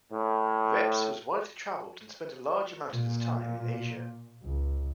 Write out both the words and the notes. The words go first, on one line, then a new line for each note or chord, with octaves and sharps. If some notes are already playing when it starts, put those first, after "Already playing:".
Reps was widely travelled and spent a large amount of his time in Asia.
A2
A#2
C#2